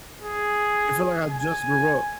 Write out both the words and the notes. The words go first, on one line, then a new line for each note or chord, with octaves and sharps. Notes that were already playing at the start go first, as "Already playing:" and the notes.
it feel like I just grew up,
G#4
G#5